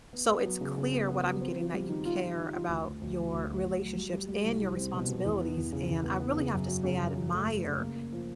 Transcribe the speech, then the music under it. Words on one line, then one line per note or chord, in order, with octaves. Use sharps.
So, it's clear what I'm getting that you care about your relationships and your responsibilities, and I really have to say, I admire
B3
B3
F#3
C#3
C#3
B3
B3
F#3
C4
F4
G3
D#3
F4
F4
D#3
F4
D2
D2
D2
F#3
D2
F#3
D2
F#3
G3
G3
G3
C2
C2
C4
B2
B2
E2
B3
E2
C#3
E2
B3
B3
C#3
F#2
F#3
C#3
F#2
F#2
A3
A3
C#3
A#3
A#3
F3